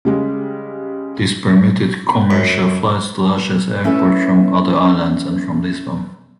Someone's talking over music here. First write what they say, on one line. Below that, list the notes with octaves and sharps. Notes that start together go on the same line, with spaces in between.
This permitted commercial flights to Lajes Airport from other islands and from Lisbon.
C#3 G3 G#3
F#2
A3 C#4 E4 A4 B4 C#5